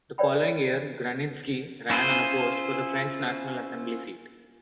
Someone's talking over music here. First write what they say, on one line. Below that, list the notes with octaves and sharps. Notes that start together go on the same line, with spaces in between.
The following year Grunitzky ran unopposed for the French National Assembly seat.
B4 C#5 D5 G5 B5
C#4 E4 F4 G#4 C5